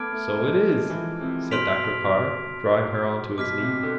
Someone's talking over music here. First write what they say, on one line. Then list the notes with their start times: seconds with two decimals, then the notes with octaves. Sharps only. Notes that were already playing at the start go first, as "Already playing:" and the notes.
"So it is," said Dr. Carr, drawing her on to his knee.
Already playing: A3 B3 A5 D6 F6 G#6 D7
0.12 A3
0.35 G#3
0.58 F3
0.90 E3
1.21 C3
1.51 B2 C6 F6 B6 D7 F7
3.37 B2 D6 F6 B6
3.60 C3
3.83 D3